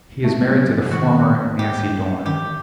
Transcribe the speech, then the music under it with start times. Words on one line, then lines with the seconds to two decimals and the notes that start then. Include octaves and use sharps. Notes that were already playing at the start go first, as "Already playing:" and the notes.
He is married to the former Nancy Dorn.
0.24 A3
0.41 G3
0.57 F#3
0.75 E3
0.91 D#3 F#4
1.59 G4
2.26 D#3 G4